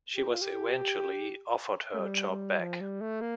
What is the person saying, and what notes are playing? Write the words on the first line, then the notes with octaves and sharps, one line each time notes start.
She was eventually offered her job back.
G4
F4
G4
A3
G3
G3
F3
G3
A3
A#3